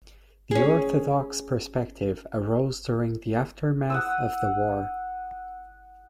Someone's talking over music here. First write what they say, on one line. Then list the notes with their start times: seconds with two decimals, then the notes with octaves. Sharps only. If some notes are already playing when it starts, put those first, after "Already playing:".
The Orthodox perspective arose during the aftermath of the war.
0.51 C#4 G#4
3.90 F#5 D#6 E6